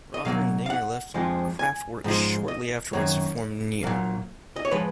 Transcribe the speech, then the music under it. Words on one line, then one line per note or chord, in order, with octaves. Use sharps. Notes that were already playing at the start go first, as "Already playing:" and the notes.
Rother and Dinger left Kraftwerk shortly afterwards to form Neu!
D#5
B2 F#3 A#3 F5
F5
F#5
F2 F3 G#3
G#5
G#2 F3 G#3
D#5
F#2 D#3 A#3 C#5
A#2 F#3 A#3
D#5
C#5
F3 G#3 B4